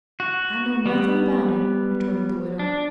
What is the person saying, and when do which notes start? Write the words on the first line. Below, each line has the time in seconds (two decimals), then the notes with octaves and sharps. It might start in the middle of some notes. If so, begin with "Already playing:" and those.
"I know nothing about it," retorted the widow.
0.20 F#4
0.86 G3 B3
2.59 D4